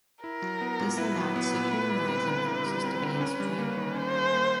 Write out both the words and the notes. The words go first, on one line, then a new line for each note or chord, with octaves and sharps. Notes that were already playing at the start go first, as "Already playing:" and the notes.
This allowed secularizing forces to gain strength.
E4 A#4
F#3
B3
A#2
E4 B4
F#3
B3
A#2
E4
G3
C4
D3
E4
G3
C4
D3
C#4
G3
A#3
D#3
C#4 C5
G3
A#3